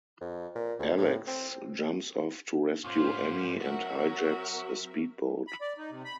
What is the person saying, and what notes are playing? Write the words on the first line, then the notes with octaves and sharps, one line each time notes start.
Alex jumps off to rescue Annie and hijacks a speed boat.
F2
A#2
D2
A2
C4
D2 G#2 C#4 F4 B4 C5
F#3 C4 F#4 A#4 E5
B5
D5
D#4
C3
B5